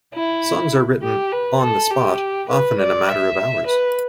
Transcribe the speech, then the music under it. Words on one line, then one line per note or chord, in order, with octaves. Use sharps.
Songs are written "on the spot", often in a matter of hours.
E4
G4
B4
A4
G4
B4
D5
E5
B4